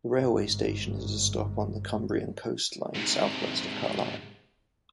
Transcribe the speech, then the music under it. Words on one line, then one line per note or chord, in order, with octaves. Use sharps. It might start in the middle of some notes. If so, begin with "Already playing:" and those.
The railway station is a stop on the Cumbrian Coast Line south-west of Carlisle.
G1 G#2
G#2 C3